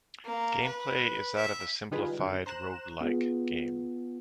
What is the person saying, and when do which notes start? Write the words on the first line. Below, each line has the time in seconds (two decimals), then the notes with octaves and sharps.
Gameplay is that of a simplified roguelike game.
0.25 A#3
0.66 B4
1.36 E5
1.91 D3 G3 D#4 F4 G#4 B4
2.19 F#2 D3
2.46 C5 A#5 F#6 E7
3.01 B3 F4 G#4